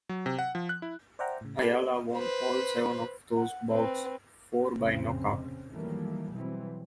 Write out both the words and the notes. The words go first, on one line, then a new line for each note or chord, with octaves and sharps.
Ayala won all seven of those bouts, four by knockout.
F#3
C3
F#5
F3
F#6
E4
C5 D5 E5 F#5 G5 A#5
A2 C#3
G4 A4 B4 D5
B4 C5
F#5
C4 B4
F1 A#1 A2 C#3 C4 C#4
D#3 E3 F#3 G3 A3 A#3
B2 E3 F#3 G3 C4